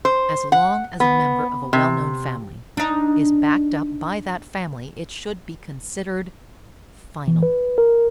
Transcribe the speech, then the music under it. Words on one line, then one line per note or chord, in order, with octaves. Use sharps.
"As long as a member of a well-known family is backed up by that family it should be considered--final."
C5
F#5
B3
C3
D4 D#4
E3
B4
A#4